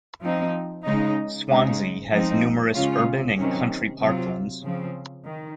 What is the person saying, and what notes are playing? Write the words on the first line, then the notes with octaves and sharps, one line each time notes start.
Swansea has numerous urban and country parklands.
F3 C4 D#4
C#3 G#3 D#4
C#3 G#3 D#4
F3 G#3 C4 D#4
C#3 G#3 C#4 F4
C3 D#3 F#3 C#4
C3 F#3 C4 F4
C#3 F3 C4
D#3